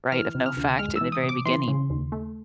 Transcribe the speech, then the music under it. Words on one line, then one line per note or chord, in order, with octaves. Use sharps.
right, of no fact in the very beginning,
E3 F6
C3
F6
D2
G#3 F6
E6
E3
D#6
C3
D6
E3 C6
C#3
D#2
A3